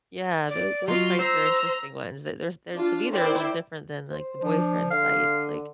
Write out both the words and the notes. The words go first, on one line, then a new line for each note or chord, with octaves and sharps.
Yeah, tho those fights are interesting ones, th there's, they're to me, they're a little different than, like, the boyfriend fight, it's like
D5
F#3 F4 D#5 C6
C5 A#5 E6
D4 F4
E4 A#4 C5 D5 G5
C5
F3 D4
D3 F5